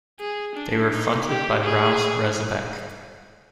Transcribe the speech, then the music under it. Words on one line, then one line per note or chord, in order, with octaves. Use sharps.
They were fronted by Rozz Rezabek.
G#4
D4
D#4
G4
G#4